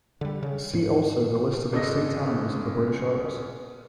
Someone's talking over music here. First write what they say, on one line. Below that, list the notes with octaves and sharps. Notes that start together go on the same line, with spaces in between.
See also the list of extinct animals of the British Isles.
D3 G3
C#3
G#2
G#1 C#3 A4 D#5 A#6